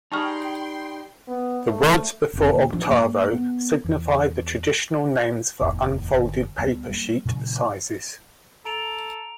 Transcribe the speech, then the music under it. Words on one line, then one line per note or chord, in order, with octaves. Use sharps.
The words before octavo signify the traditional names for unfolded paper sheet sizes.
G3 D#4 G#4 G5 A5 C6 C#6 F6
B3
A3
F1 C3
D2 A#2
A1 F3 D4
G#2 A#3
B3
E2
F1 D#2 A2 D#3
G1
D2 G3 B3
G3 G#3 A#3
A#2 C#3 E3 F#3
A4 A#5 D7 F7